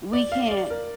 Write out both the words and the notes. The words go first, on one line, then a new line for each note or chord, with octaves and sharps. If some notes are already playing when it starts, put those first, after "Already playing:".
We can't.
D5
F5
D5
A#4